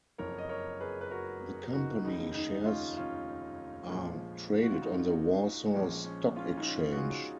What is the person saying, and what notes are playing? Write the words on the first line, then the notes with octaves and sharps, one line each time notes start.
The Company shares are traded on the Warsaw Stock Exchange.
F#1 F2 F3 A#4 C#5
D#5
A#4 C#5
G#4 B4
B4
F#4 A#4
D#4 F#4
F1 D#2 C#3 D#4
D#4
C#4 F4
C#4 F4
A#1 A#2 F3 G#3
F#4
F4
D#4
A#1 A#2 F3 G#3 C#4
C#4
C#4 F4
C#4
D#4
C#4 F4
F#4
F4 G#4